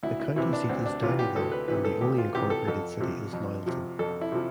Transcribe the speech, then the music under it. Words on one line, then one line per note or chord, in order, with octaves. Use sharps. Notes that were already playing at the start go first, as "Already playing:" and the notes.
The county seat is Downieville, and the only incorporated city is Loyalton.
D2 E4
E4
C3 E3 E4
D4
D2 C4
D4
C3 E3 F4
G4
D2 A4
B4
C3 E3 B4
A4
D2 G4
F4
C3 E3 G4
A4
F2 A4
C3 F3
F2
C3 F3
F2 A4
E4
C3 F3